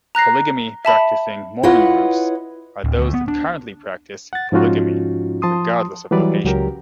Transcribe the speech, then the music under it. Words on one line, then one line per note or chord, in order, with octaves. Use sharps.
Polygamy-Practicing Mormon groups are those that currently practice polygamy, regardless of location.
A#5 F#6 A#6 C7
E5 A5 B5
E4 F4 B4 C#5 D#5 F#5
D1
D2
B3
D4
F#5 A6
G#2 F3 C#4 D#4 F4 F#4
F3 A5 C6 D#6
E3 F#3 G3 B4 D5
C#2 F#3 G4 A#4